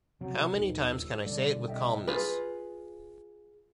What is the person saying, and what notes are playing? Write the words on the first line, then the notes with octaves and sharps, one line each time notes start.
How many times I can say it with calmness?
C3 F3 F#3 C4
D#1 B1
G1 E6
B2 D3 G3 D5
C2 D#5 E5 G5
F4 G#4 B4